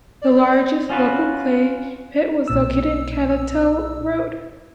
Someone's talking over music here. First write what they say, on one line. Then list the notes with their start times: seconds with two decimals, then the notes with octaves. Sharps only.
The largest local clay pit was located on Cattell Road.
0.22 D5
0.90 C#4 F4 F#4 B4
2.48 B1 A#2 E6